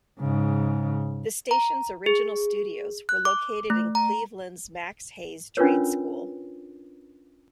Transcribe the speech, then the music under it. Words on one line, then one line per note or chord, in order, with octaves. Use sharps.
The station's original studios were located in Cleveland's Max Hayes Trade School.
G#2 C#3
A#5
G#4
F#6
D6
A3
A#5
C#4 D4 F4 A#4 B4 C#5